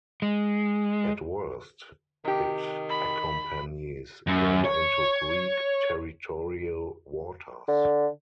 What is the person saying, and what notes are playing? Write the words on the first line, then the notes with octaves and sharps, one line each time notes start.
At worst, it accompanies them into Greek territorial waters.
G#3
C3 D#3 G4
B5
F#2
C#5
D3